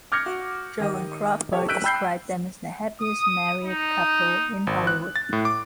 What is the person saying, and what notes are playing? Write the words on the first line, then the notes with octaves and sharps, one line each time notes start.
Joan Crawford described them as the happiest married couple in Hollywood.
D6 F6 G6 G#6 A#6 C#7
F#4
D#3 G4 D#5
G4 A4 C#5
E6 F#6 G6 B6 D7 D#7
G5 B5 E6 G6 C7
D#6
D#4
G#1
F#6
A6
A2
D6